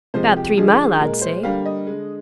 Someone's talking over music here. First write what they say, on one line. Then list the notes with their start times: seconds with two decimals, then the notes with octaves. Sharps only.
'Bout three mile, I'd say.
0.14 C3 F3 G#3 C5
0.37 G4
0.57 D3 F3 G#3 G#4
0.80 G#4
1.01 A#2 G#3 A#4
1.22 C5
1.43 D3 G3 A#3 F5
1.65 D#5
1.87 D3 G#3